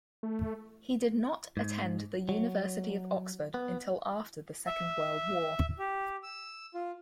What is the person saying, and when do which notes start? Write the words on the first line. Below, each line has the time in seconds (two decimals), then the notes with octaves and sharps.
He did not attend the University of Oxford until after the Second World War.
0.23 A3
1.57 G#2
2.29 F#3
3.54 B3
4.67 E5
5.79 G4
6.23 E6
6.74 F4